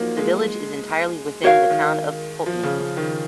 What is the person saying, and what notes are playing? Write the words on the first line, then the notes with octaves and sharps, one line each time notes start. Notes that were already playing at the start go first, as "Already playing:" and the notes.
The village is entirely within the town of Poultney.
Already playing: F3 F#3 A#3 D#4
G#3
F#4 A#4 C#5 F5
D#3
F3
C#3
C#3
D#3